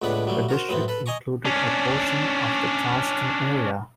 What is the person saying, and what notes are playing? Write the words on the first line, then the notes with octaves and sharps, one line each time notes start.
The district included a portion of the Charleston area.
C#2 A2 C#3 B3 D4 B4
F#3 G3 A3
F#4 A#4 C5
F#2 A2 B3 C4
A4 B4
D#5 G#5 A#5 C#6 D6
C#4 D4